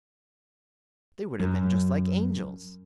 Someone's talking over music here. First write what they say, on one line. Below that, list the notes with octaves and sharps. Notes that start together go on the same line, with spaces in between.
They would have been just like Angels....!'
F#2